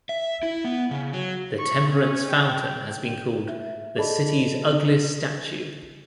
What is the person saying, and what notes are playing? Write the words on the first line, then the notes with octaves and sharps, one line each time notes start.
The Temperance Fountain has been called "the city's ugliest statue".
E5
E4
B3
C#3
F#3
C#6
C#4
G5
E5
G#4 A4 D5 D#5 A5 B5